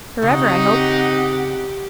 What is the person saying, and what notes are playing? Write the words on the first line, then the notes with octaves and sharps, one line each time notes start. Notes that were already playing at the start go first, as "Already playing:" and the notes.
Forever, I hope.
C#3 C4 D#4 G4 F#5